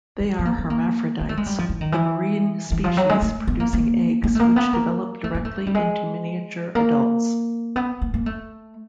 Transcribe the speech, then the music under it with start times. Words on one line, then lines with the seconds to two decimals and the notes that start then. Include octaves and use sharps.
They are hermaphrodites, the marine species producing eggs which develop directly into miniature adults.
0.20 E3
0.39 B3
0.45 A#3
0.58 B3
0.70 A#3
1.21 A#3
1.29 A3
1.37 G#3
1.46 G3
1.59 F3
1.69 E3
1.81 D#3
1.92 E3
2.72 E3
2.84 F3
2.97 F#3
3.09 G#3
3.22 A3
3.48 B3
3.60 A#3
3.73 A#3
4.24 A#3
4.35 A3
4.39 A#3
4.56 B3
4.73 A#3
5.24 A3
5.35 A#3
5.45 A3
5.67 G3
5.75 G#3
6.75 A#3
7.76 B3
8.02 A#3
8.14 A#3
8.26 A3